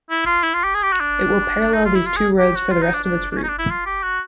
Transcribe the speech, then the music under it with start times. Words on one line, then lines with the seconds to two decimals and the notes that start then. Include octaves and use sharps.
It will parallel these two roads for the rest of its route.
0.10 E4
0.26 F4
0.43 E4
0.54 F4
0.64 G4
0.75 G#4
0.83 G4
0.92 F#4
1.00 D4
1.73 D#4
1.85 F4
1.96 E4
2.06 F4
2.17 G#4
2.39 G4
2.56 F#4
2.72 F4
2.83 D#4
2.94 D4
3.04 D4
3.32 D4
3.37 C#4
3.44 D#4
3.48 D4
3.59 E4
3.70 F4
3.86 G4
4.03 F#4